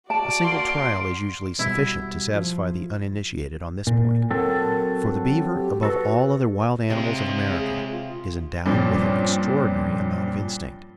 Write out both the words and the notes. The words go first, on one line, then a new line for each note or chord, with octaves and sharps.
A single trial is usually sufficient to satisfy the uninitiated on this point; for, the beaver, above all other wild animals of America is endowed with an extraordinary amount of instinct.
F#4 D5 A5 D7
A#3 C6
B2 G3 E4
F3
A#2
F#3 C4 A4 A#4
G4
F#4 A4 B4
C3 G#3 F4
G#4
F4
G2 A#2 F3 C4 C#4